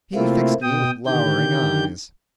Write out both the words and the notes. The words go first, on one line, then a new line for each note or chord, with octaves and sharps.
He fixed me with lowering eyes.
C3 A3 A#3 C4 E4 F4
B2 G5 D#6
D3 D#3 G4 G6